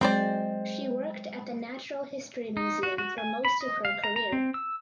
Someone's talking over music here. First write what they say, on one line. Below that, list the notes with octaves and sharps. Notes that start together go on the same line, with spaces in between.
She worked at the Natural History Museum for most of her career.
F#3 G#3 C4 C5 D5
D#4
F#4
F#4
G#5
B5
D#5
F5
A#5
A#5
C4
E6